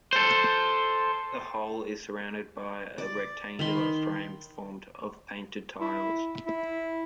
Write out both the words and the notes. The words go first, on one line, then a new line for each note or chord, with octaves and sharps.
The whole is surrounded by a rectangular frame formed of painted tiles.
A4 C5
D5
D#3 B5 C6
E4
E4